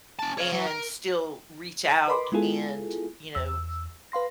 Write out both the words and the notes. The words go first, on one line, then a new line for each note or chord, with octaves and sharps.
and still reach out and, you know,
C#4 A5
C#5 F5
F#3
A#4
A#4 B4 D#5 B5 C6 D6
G#3 B3 E4 F4 G#4 A4
E2 E6
B4 F5 C6 A#6